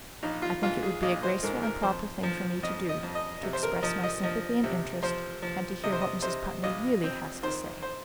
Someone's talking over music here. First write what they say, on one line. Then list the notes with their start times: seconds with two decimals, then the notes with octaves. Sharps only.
I think it would be a graceful and proper thing for me to do, to express my sympathy and interest, and to hear what Mrs. Putney really has to say.
0.23 A#1 D#4
0.42 F4
0.62 G#2 F4
0.83 G#4
1.02 A#1 D#5
1.23 C5
1.43 G#2 A#4
1.63 A#4
1.83 F2 C5
2.23 F3
2.63 F2 D#5
2.89 D#5
3.03 F2
3.15 D#5
3.43 C3
3.53 C5
3.63 A#4
3.83 F3 D#5
4.04 D#5
4.23 F3 D#5
4.64 C3
5.03 F3 C5
5.42 F3
5.84 C3 D#5
5.93 C5
6.01 D#5
6.22 C3 C5
6.63 A#1 D#5
7.04 C4
7.43 D#3 C5
7.83 C5